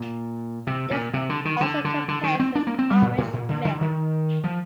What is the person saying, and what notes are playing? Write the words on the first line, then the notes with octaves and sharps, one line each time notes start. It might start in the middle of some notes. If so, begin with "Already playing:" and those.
This also compares with Irish myth.
Already playing: A#2
C3
A#2
C3
D3
D#3
D3
D3
D3
D#3
C4
D4
A#3
C4
G3
A#2
A2
A#2
D3
D3
D#3
F3